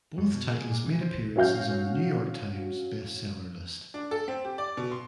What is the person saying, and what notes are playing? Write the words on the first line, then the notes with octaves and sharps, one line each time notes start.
Both titles made appearances on the "New York Times" Best Seller list.
F#2
B2
G#4
A#2
E3
C5
F#3 C#4 F#4 F5 G6
D4
A4
C4
G4
D5
B2
C6